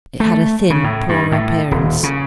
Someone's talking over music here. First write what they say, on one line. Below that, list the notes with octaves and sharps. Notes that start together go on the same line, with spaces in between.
It had a thin, poor appearance.
A3
C#3
A2
G2
A2
D#1
C#3